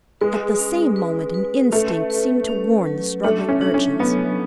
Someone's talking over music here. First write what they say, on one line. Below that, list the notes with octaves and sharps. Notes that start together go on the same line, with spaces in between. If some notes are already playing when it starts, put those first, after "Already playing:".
At the same moment an instinct seemed to warn the struggling urchins.
G#3 B4
C#4
B4
B4
A3 C#4
B4
C#4
F#3
A3 D4
C#4
D4
C#4
F#3 B3